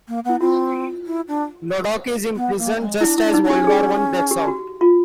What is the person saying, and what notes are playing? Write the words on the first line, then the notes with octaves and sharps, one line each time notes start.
Lodocq is imprisoned just as World War One breaks out.
A#3
B3 E4
C4 F4
E4
D4
B3
A#3
G#3
D4 E4
D4 E4
D#4
D4
C#4 G4
G#4
G4
F#4
F4